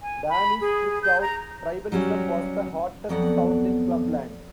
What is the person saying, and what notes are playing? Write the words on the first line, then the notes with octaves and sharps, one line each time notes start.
Danny's tripped out tribalism was the hottest sound in clubland.
G#5
B5
G#4
G6
A#5
F#3 G3 C#4 F#4
F2 F#3 B3 D5 F#5